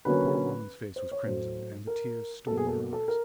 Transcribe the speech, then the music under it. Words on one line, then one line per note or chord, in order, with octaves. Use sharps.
The poor woman's face was crimson, and the tears stood in her eyes.
D3 F#3 A#3 C#4 B4
C5
C#5
A2 F#3 A3 C5
A#4
B2 F#3 A#3 A4
G#4
A4
A4
A#4